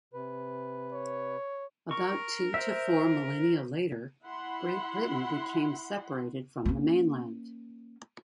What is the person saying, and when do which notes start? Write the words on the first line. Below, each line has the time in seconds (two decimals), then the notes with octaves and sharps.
About two to four millennia later, Great Britain became separated from the mainland.
0.14 C3 B4
0.92 C#5
1.91 A#4 C#6
2.54 C5 E5
4.23 E4 F#5 B5 C6
6.65 A#3 C#4